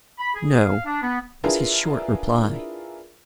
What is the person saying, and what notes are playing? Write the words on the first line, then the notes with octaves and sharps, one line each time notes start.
"No," was his short reply.
B5
G#4
F5
D4
B3
D4 E4 F4 G#4 A#4 B4